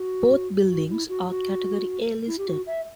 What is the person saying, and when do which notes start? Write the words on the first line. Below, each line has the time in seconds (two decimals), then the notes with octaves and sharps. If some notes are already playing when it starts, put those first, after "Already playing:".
Both buildings are Category A listed.
Already playing: F#4
0.70 F#4
0.89 E4
1.09 F#4
1.29 F#4
2.27 E4
2.38 G4
2.47 F#4
2.67 E5